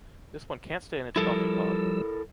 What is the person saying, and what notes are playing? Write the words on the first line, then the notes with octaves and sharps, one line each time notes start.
This one can’t stay in its coffee pot!...
F3 G3 E4 A4 A#4 E6